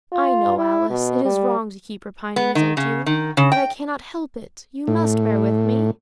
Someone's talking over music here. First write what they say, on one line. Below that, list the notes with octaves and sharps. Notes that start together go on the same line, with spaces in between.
'I know, Alice, it is wrong to keep repining as I do, but I cannot help it: you must bear with me.'
F4
E4
B2
G3
B3
D#3
C#3
D#3
C#3
G5
A2